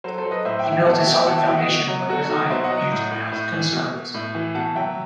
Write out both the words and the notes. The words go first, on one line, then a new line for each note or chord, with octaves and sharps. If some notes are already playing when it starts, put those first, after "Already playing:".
He built a solid foundation but resigned due to health concerns.
F#3 A4 C5
A4 C5
F#3
B4 D#5
A2 C5 E5
E5 G5
E3
E5 G5
B2 F#5 A5
E5 G5
B2
E5 G5
B2 F#5 A5
E5 G5
B2 E5 G5
D#5 F#5
B2
F#3
B2 F#4 A4
F#3 D#4 F#4
B2 C5 E5
D#5 F#5
F#3
D#5 F#5
A2
A2
A2
E3
B2
B2
A2
E3
B2 F#5 A5
F#3 E5 G5